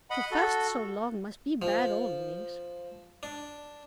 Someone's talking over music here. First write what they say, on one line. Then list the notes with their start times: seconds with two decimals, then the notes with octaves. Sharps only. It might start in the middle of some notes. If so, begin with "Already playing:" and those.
"To fast so long must be bad always."
0.10 D#5 F#5 B5
0.31 F#4 A4
1.62 F3
3.23 D4